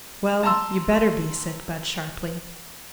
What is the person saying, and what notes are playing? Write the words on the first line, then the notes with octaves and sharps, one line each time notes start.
"Well, you better be," said Budd sharply.
A5 A#5 C6 E6